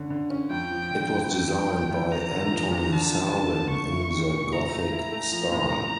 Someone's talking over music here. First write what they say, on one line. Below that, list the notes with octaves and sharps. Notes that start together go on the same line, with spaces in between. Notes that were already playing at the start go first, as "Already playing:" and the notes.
It was designed by Anthony Salvin in the Gothic style.
Already playing: D3 C#4
D3
C#4
F2 G5
F3
D3
F2
F2 G5
F2
F2
F2
E2 A#5
D3
F3
E2
D3 A5
F3
D3
D3
A3 C#6
E4
G4
A#2
E4 A#5
A3
E4
A3
F3
A2
A2